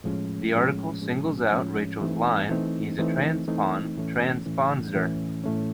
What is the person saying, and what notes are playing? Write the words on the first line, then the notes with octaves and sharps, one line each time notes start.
The article singles out Rachel's line He's a transpon-transpondster!
A2 F3 G#3 C#4
A2 F3 G#3 C#4
A2 F3 G#3 C#4
A2 F3 G#3 C#4
E3 A3 C4 D#4
E3 A3 C4 D#4
E3 A3 C4 D#4
E3 A3 C4 D#4
A2 E3 A3 C#4
A2 E3 A3 C#4
A2 E3 A3 C#4
A2 E3 A3 C#4